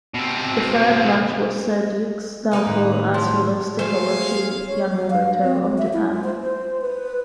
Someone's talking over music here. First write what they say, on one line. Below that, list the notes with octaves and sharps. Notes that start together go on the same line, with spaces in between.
The third match was Serdyuk's downfall, as he lost to Hiroshi Yamamoto of Japan.
B2 C4
A#3 D#4 B4
A2 D#3
F3 F#3
F#3 A3 G#4 C5 F5
C#5
F#3
F5
C4
G#3
E5
E4
F4
C5
C5
B4